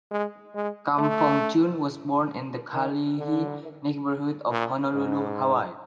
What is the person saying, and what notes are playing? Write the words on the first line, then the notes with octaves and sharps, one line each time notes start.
Kam Fong Chun was born in the Kalihi neighborhood of Honolulu, Hawaii.
G#3
G#3
A3
D#3
D3
A#2
G#2